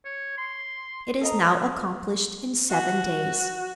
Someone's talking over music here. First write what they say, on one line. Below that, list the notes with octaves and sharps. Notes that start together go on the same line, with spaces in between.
It is now accomplished in seven days.
C#5
C6
A4 D#5 A#5
F#4